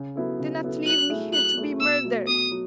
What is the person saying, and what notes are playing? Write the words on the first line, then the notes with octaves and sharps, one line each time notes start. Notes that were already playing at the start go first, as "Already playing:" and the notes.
Do not leave me here to be murdered!
Already playing: C#3
F#3 B3 E4 A4
C#3
F#3 B3 E4 A4
F#3 F#6
A3 E4 G#4
F#3 F#6
A3 E4 G#4
B2 E6
F#3 A3
B2 D#6
F#3